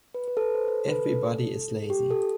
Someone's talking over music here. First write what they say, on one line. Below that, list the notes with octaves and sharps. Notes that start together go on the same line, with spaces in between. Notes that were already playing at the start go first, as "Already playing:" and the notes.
Everybody is lazy!
B4
B4
A4
B4
C5
A4
B4
A4
G4
A4